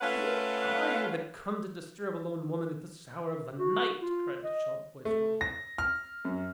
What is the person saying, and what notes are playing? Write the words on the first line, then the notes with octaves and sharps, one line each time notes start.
"Who are you, that come to disturb a lone woman at this hour of the night?" cried a sharp voice from above.
A3 C#4 F4 B4 F5 F#5
F#4
F4
D#5
A3
A#6
F6
F#2